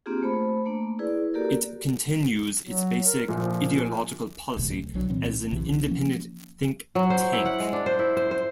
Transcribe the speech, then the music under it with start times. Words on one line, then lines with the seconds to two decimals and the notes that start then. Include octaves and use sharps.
It continues its basic ideological policy as an independent think tank.
0.06 A#3 C4 D4 F4 G4 G#4
0.22 A3 C5 B5
0.65 A3 A#3 D4
0.99 E4 G#4 B4 D5
1.33 A#3 F#4 G4 A4 A#4 D5
2.66 F#3
3.05 A#4
3.29 A#1 A#2 F3
4.57 D1 D2 C3
4.94 B1 F#3 D4
5.10 C2 A#2 E3 C4
5.52 B1 C3 E3
5.88 F3 A#3 C#4
6.95 F#3
7.10 C5
7.33 E4
7.45 F#5
7.60 G#3
7.73 D4
7.86 C5
7.99 E4
8.17 C5
8.31 C5